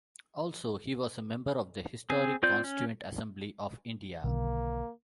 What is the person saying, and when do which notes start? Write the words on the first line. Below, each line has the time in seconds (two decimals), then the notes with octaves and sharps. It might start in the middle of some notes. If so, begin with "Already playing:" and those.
Also, he was a member of the historic Constituent Assembly of India.
2.10 C4 G#4
2.43 C4 F4 D5 G6
2.64 C#4
4.24 B1 D3 D#3 A#3